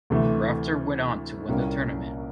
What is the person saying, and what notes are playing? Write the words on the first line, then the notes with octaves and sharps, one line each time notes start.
Rafter went on to win the tournament.
D2 C3 E3 A3
C2 A#2 G3 A#3 C#4